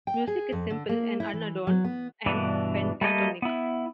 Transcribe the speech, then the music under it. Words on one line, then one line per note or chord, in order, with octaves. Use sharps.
Music is simple and unadorned, and pentatonic.
G5
G#4
F2
D3
A#3
E4
E3
F#3
B3
G2 B2 E3 D4
G3 A3 A#3 C#5 D#5
B3 E4